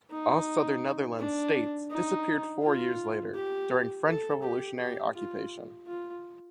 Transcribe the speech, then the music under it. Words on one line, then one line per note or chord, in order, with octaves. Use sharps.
All Southern Netherlands "States" disappeared four years later, during French revolutionary occupation.
D#4
D4
D#4
F4
G4
A4
G4
G4
F4
F4